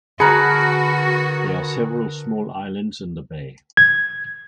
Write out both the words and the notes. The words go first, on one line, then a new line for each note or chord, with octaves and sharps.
There are several small islands in the bay.
D3 F#4 G#4 A#4 B4 A5 B5 C#7
G#6